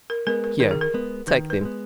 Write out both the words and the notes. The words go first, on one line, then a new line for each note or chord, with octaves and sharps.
Here, take them!
A#4
G#3 B3 A#4
A#4
D#3 A#4
G#4
A#4
G#3 B3
D#3 B4
B4
G#3 B3